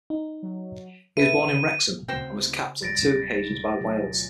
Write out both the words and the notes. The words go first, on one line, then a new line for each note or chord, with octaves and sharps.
He was born in Wrexham, and was capped on two occasions by Wales.
D#4
F#3
A4 B4 E5 D#7
D3
D2 C#3 B3 C4 F#4 C5 G5
D1 F#3 G3 A6 A#6 D7
E4
D2 B2 F#3 F4 G#4